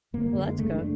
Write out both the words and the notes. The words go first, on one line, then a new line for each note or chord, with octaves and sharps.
Well, that's good.
F#2 D3 A#3
G#3
F#2 C#3 A3
D4